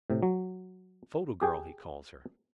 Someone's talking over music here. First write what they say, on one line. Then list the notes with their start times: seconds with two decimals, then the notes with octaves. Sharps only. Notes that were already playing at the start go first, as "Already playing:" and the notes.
Photo girl he calls her.
0.10 A2 C3
0.23 F#3
1.42 G4 G#4 G5